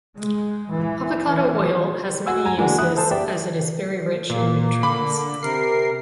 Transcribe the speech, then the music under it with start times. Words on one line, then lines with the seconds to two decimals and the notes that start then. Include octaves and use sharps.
Avocado oil has many uses as it is very rich in nutrients.
0.16 G#3
0.72 E3
1.29 E3
2.26 F#4 F#5 G#5 E6
2.45 G#5 A#5
2.57 E3 G#3 A#3 D4 F#4
2.78 E4 E5 D#6 F#6
2.96 A4 C5 A5
3.11 G4 D5 E5 G5
4.30 A#2 A#3
4.83 D3 B5 D6
5.43 C3 A#4 C7